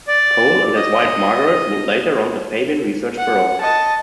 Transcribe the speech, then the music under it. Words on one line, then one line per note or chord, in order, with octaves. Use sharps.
Cole and his wife Margaret would later run the Fabian Research Bureau.
D5
D#5
F#5
D#5 A5